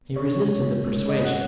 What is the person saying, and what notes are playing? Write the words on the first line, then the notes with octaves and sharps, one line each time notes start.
He resisted the persuasion.
C#3 C#5
G#3
C#3
G#3
C#3 D#5
F#5